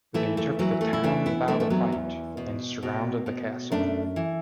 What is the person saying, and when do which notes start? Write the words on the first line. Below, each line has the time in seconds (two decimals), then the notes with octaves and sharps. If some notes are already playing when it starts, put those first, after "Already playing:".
They took the town without a fight, and surrounded the castle.
0.14 E3 A3
0.37 A3
0.59 E3 F#3
0.81 A3
0.93 E4
1.04 E3 A3 D4
1.26 B3 E4
1.48 E3 A3 D4
1.60 A3
1.70 F#3 B3
1.92 E2
2.37 B2
2.83 B2
3.26 B2
3.72 F#2 A3 D4
4.16 E3